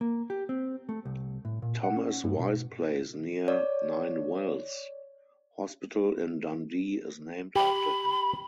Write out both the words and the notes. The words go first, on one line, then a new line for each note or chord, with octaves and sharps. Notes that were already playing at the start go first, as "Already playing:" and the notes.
Thomas Wise Place near Ninewells Hospital in Dundee is named after him.
A#3
G4
C4
A3
C2
A2
A#2
F#5
C#4
G2
B2
C#5 D5
G4 B5